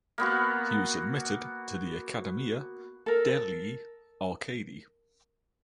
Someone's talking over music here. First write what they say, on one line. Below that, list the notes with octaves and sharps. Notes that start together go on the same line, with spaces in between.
He was admitted to the Accademia degli Arcadi.
A#3 B3 F#4
A4 A#4